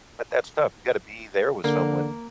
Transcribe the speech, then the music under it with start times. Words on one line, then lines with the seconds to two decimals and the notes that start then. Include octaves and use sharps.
But that's tough, you gotta be there with someone.
1.64 D3 A#3